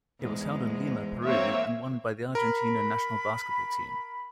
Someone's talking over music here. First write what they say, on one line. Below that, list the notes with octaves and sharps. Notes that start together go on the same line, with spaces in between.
It was held in Lima, Peru and won by the Argentina national basketball team.
E2 G#2 G#3
A#3 C4 C#5 E5
A#4 B5